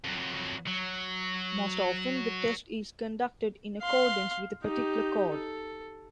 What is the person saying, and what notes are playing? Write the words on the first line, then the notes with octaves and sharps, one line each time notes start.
Most often, the test is conducted in accordance with a particular code.
F2 F#3
F#3
F5 C6
D#4 G4
A4